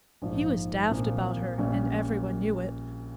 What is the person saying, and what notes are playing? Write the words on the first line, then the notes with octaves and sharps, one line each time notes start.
He was daft about her, and every one knew it.
A#1 G#2 F3
C2 A#2 F3
A#1 A#2 G3 C#4